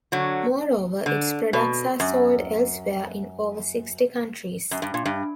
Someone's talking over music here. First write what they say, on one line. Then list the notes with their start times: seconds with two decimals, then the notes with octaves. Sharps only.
Moreover its products are sold elsewhere in over sixty countries.
0.12 D3 F#3
1.06 D3
1.53 B2
2.00 F#2
4.71 F#2
4.82 G2
4.94 A#2
5.06 G2